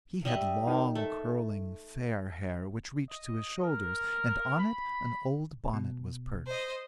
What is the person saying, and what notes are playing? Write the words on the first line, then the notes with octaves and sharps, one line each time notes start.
He had long, curling, fair hair which reached to his shoulders and on it an old bonnet was perched.
G3 D#5 E5
D#4 A#4
A3
D#5
A#4
B5
B2
C5 D#5